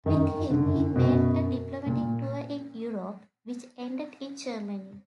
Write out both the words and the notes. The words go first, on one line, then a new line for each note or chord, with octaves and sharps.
With him, he made a diplomatic tour in Europe which ended in Germany.
F#2 D#3
F#2
D3
F#2
F#2 B2
A#2